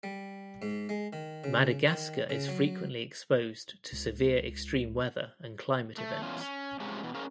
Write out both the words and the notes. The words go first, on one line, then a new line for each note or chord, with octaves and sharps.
Madagascar is frequently exposed to severe extreme weather and climate events.
G3
G#2
G#3
D#3
C#3
D#3
C#3
F#3
C#2
A3
E2 C#4 F4
C#4
C3 F3 G#3 C#4
B2 E3
C#4 G#4 A#4 C5 C#5 F5